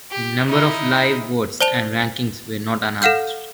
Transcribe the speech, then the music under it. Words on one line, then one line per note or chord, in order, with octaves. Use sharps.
The number of live votes and rankings were not announced.
G4
D#4 E4
C5 D5 A5 F7 G7
A4 F5 F#5 F6 G6